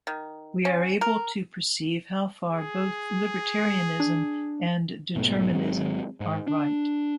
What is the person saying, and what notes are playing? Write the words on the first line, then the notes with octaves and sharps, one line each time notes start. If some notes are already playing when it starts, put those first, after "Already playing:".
We are able to perceive how far both libertarianism and determinism are right.
D#3
C#4
A#4
G#4
D4
B1 G#2 B2 A3
G#1 F#3 G#3 C4
G#2
D4